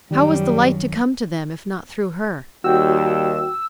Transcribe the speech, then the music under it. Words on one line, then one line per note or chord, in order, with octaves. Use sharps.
How was the light to come to them if not through her?
F#2 D#3 G3
D#2 G3 F#4 G5 E6